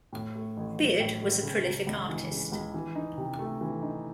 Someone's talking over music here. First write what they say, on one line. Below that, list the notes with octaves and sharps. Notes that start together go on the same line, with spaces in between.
Beard was a prolific artist.
A2
A3
A1
F#3
A2
A3
C#3
C#2
C#2
E3
C#3
C#2
E3
D#4
C3
A3
E3
D#4